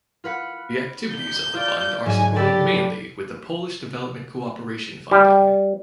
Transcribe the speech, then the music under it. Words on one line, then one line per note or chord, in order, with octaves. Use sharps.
The activities of the Fund are supported mainly with the Polish Development Cooperation funding.
F4 B4 F#5
G6
F4 D5
G#2 F#3 G#5
G4 A4 B4 D5
G3